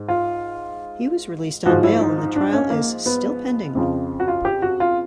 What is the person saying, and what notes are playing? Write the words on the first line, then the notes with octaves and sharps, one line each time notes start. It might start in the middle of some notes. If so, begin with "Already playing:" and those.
He was released on bail and the trial is still pending.
Already playing: G#2
F4
G#2 F3 F#4
E4
D#4
D#4
D4
C#4
A#3
B3
F2 C#3 F3 C4
F#4
F4
G4
F#4
F4